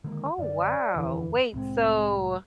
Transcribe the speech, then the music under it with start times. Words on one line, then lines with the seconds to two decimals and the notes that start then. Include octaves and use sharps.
Oh, wow, wait, so,
0.04 D3 D#3 G#3 A#3
0.38 F#2 D3 D5
0.96 D#1 F2 D3 E3
1.53 C2 A2 G#3 C4